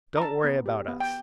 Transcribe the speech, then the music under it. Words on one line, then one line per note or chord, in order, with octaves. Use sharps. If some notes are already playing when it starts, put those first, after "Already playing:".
Don't worry about us.
A#5
D4 A5
B3
G4
B3
G5